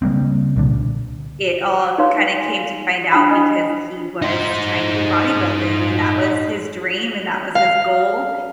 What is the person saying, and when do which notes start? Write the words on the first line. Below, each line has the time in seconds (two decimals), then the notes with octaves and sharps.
it all kinda came to find out, because he was trying to do bodybuilding; and that was his dream and that was his goal,
0.02 C#3 G3 A#3 C4
0.56 C2 A#2 D3
1.98 D#4 B4 C#5 F5 C6
2.41 G#5
3.11 D4 E4 G5 B5 D#6
3.29 D#5 G#5
4.22 D#4 C5
7.55 F5